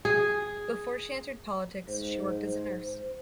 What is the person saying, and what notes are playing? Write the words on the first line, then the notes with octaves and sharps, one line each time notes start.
Before she entered politics she worked as a nurse.
G#4
G#2 C5